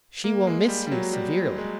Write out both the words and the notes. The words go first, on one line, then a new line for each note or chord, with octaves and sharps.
"She will miss you severely."
A#3
G#3
G3
G3
F#3
G3
G#3